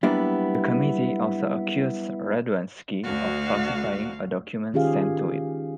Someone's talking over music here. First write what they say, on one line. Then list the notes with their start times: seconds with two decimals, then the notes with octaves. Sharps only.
The committee also accused Radwanski of falsifying a document sent to it.
0.03 F#3 G3 A#3 B3 D4 E4
3.04 D2 F#4 F5
4.74 D#3 C#4 F4 G4 G#4 F5